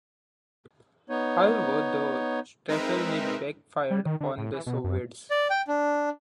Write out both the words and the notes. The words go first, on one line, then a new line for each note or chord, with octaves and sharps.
However, the strategy back-fired on the Soviets.
B3 D#4 C#5
G#3 C4 D#4 A#4 B4 E5
G3
D#3
D3
A2
E3
B2
F#2
D5
G5
D4